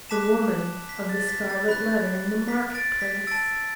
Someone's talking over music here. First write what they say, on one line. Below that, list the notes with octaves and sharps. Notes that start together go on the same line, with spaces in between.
The woman of the scarlet letter in the marketplace!
A5 D6 F#6 B6 E7
B6
A6
B6
A6
B5 F#6
B6
A6 D7
B6
A5 E6 A6 D7